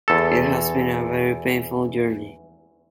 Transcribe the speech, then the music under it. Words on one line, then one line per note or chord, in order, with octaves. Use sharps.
It has been a very painful journey.
E2 A4